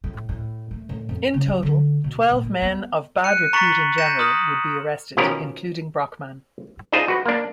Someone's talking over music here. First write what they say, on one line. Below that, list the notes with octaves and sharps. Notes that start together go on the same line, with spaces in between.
In total twelve men "of bad repute in general" would be arrested, including Brockman.
A2
A2
A3
A2
F2
C#3
F#3
D3
B2
A#2
G3
B3
F#6 C#7 D#7
A#5 C#6 A6 B6 C#7 F#7
G6 A#6 C#7 D#7 E7
C6 D#6 F6 G6 A#6 F#7
B2 D#3 F3 C#4 G4 A#4
D4 D#4 F4 G#4 C5
F#4 B4
A#3 D4